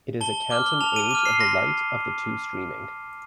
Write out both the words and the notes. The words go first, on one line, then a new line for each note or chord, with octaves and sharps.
It is a canton age of the Light of the two-streaming.
A5 G7
D6 F6 G7
G7
A5 F7
D#7
D6 F6 D#7
C7
C6 A#6